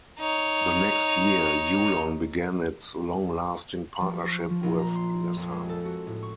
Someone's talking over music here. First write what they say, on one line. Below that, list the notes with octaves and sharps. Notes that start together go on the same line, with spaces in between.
The next year Yulon began its long-lasting partnership with Nissan.
D#4 C#5
F3
C#6
F3
A#1
A#5
C6
F2
G#3
A4
F#4
A2
C#6